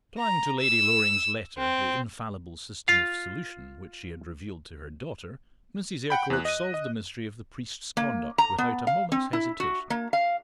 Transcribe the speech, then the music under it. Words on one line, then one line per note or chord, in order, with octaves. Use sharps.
Applying to Lady Loring's letter the infallible system of solution which she had revealed to her daughter, Mrs. Eyrecourt solved the mystery of the priest's conduct without a moment's hesitation.
A#5
E6
C4
F4 F5
F#5 G5 B5
E2 F#6
D#5 D#7
D#5
A#3
A#5
B3
F5
C4
E4
F#4
A#3
F5